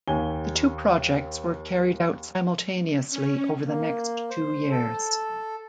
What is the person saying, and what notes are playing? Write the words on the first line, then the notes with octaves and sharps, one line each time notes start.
The two projects were carried out simultaneously over the next two years.
D#2 G#5 G7
C#4
A#3
C5
A4